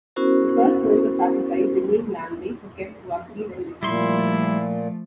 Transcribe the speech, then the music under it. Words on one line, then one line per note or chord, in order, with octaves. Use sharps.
The first store was started by William Lamley, who kept groceries and whisky.
B3 C#4 E4 F#4 A#4 C5
A#2 F3 G3 A3 E4 C6 C#6